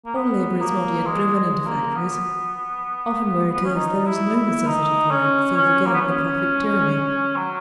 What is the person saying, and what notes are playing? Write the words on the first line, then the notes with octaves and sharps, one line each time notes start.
All labour is not yet driven into factories; often where it is there is no necessity for it, save again the profit-tyranny.
A#3
B3
A#3
G#3
G#3
A#3
B3
B3
C#4
D#4
E4
E4
D#4
C#4
C#4
A#3
B3
C#4
F#3